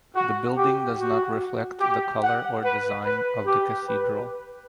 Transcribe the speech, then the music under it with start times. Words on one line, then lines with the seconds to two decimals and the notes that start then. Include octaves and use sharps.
The building does not reflect the color or design of the Cathedral.
0.15 F#4
0.56 G4
0.97 F#4
1.80 G4
2.22 F#5
2.63 B4
3.05 B4
3.46 G4
3.87 B4